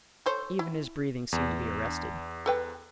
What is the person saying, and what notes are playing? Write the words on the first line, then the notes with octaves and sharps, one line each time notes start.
Even his breathing seemed to be arrested.
A4 C5 C#5
E4
E2
D4
A4 B4 G5